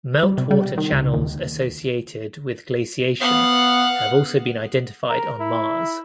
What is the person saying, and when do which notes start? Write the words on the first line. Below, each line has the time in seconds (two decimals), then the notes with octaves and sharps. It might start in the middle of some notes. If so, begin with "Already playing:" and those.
Meltwater channels associated with glaciation have also been identified on Mars.
0.23 G3
0.38 C3
0.51 G3
0.78 D#3
0.92 C#2
1.14 D#2
3.20 B3 F5 F#5
5.09 A#4
5.40 E4